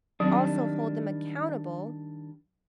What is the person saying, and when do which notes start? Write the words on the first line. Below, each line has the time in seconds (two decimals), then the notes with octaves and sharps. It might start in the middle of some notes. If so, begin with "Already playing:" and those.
also hold them accountable
0.20 D#3 F#3 G3 C4 D4